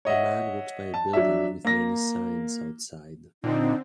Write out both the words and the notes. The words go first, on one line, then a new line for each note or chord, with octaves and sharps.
A man walks by a building with many signs outside.
C#5 D#5 E5 F#5
A5
F#3 D4 E5
A#3 A#6
A#2 D3 C4 D#4